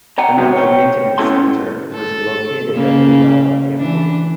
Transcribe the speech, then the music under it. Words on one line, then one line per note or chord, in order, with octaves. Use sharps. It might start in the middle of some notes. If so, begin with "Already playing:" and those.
Another maintenance centre was located at Douala Airport.
F#5 G5 A#5
G#2 D#3 F#3 B3 B4 F#5
C#5 G5
B3 C#4 E4 A4 A5 C6
A4
C#3 A#3
E3 D4